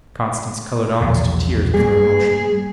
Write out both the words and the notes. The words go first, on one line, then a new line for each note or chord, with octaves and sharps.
Constance coloured almost to tears with her emotion.
A#1 E2 B2
G3 A3 A#3 G#4